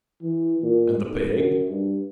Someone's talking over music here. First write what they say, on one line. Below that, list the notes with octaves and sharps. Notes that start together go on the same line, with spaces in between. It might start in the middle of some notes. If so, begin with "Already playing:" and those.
"And the pig?"
E3
A#2
B1
F#2
G2